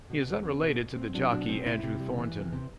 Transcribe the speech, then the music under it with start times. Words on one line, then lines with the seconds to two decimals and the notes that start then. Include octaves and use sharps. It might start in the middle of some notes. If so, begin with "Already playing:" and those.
He is unrelated to the jockey Andrew Thornton.
0.10 B2
0.28 E2
0.45 C4
0.63 B2
0.79 B2
0.97 C4
1.14 F#3 D4
1.31 B2 D4
1.49 B2 C4
1.66 C3 E4
1.83 C3
2.00 G3
2.18 E3
2.36 C3
2.53 C3